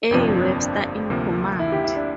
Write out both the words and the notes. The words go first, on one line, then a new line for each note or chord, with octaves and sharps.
A. Webster in command.
G1 F2 C3 F3 A#3 D4
D4
C4
D4
D2 C3 F3 A#3
E4
G4
E4
D4